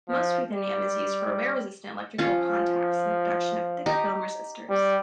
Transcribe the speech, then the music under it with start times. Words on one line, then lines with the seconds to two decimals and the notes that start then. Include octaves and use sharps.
Most ruthenium is used for wear-resistant electrical contacts and the production of thick-film resistors.
0.09 F3
0.52 G3
2.18 F3 C#4 F4
3.86 D#4 G4
4.70 G3